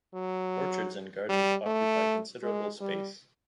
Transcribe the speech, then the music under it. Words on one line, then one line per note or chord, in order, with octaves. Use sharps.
Orchards and gardens occupy considerable space.
F#3
G3
A3
G#3
G3